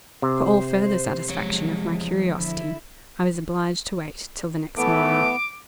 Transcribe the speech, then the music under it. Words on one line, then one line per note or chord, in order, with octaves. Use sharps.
For all further satisfaction of my curiosity, I was obliged to wait till the next morning.
C3 C5
E2 F3 F#3 G#3 C#5
D3 E4
A2 E3 A3 B3 D6